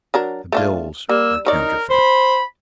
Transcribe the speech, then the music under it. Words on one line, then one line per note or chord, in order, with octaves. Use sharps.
"The bills are counterfeit."
F#3 D4 A#4
A3 D4 F4
G3 A#3 E6
D#4 A#4 C#5 D5
C5 B5